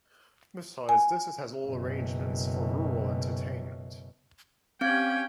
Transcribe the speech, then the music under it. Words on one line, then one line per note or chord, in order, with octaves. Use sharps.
Besides this, it has all arrangements for rural entertainment.
G#5
F#1 B2
C4 C#4 G4 F5 G5 G#6